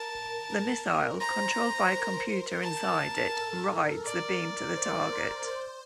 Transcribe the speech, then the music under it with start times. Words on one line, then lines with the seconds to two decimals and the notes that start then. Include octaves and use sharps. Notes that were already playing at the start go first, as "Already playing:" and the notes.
The missile, controlled by a computer inside it, "rides" the beam to the target.
Already playing: A#4 A5
0.49 A#4
0.85 A#4
1.20 C5 A#5
1.92 A#4
2.63 A#4 A5
3.35 A4
4.05 A#4 D5
4.77 C5
5.12 A#4
5.48 C5